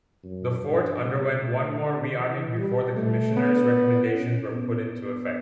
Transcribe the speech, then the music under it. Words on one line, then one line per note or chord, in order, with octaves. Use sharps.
The fort underwent one more rearming before the Commissioners' recommendations were put into effect.
F#2
G2
B2
A2
D3
E3
G3
A3
B3
C#4
B3
B3